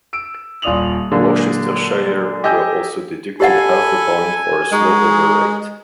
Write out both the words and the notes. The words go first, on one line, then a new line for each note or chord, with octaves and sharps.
Worcestershire were also deducted half a point for a slow over rate.
E6 D7
D#1 F4 D5 D#6 F7 F#7
A#2 D3 F#3 G#3 A#3
G4 D#5 G#5 D6 E6 G6
G4 A4 D#5 F#5 G#5 B5
G#3 D#4 F#4 G#4